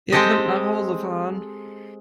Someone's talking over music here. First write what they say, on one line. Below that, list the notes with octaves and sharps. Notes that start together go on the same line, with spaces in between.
Ihr könnt nach Hause fahren!
G#3 C4 G4 A4 D#5